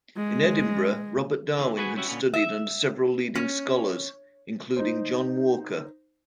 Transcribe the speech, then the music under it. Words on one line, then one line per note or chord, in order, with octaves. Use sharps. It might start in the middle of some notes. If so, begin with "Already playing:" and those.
In Edinburgh Robert Darwin had studied under several leading scholars, including John Walker.
G#3
D#2 D3 E3
F#4 G#4 B4 F#5 G#5
B3 C#4 E4 F#4 G4
A#2 D3 B3 C#4
E5
C#4
D#4 C5